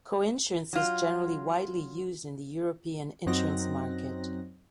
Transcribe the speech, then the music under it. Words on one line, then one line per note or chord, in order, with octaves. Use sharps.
Coinsurance is generally widely used in the European insurance market.
F#3 F4
F#2 F#3 C4 D#4 F#6 A#6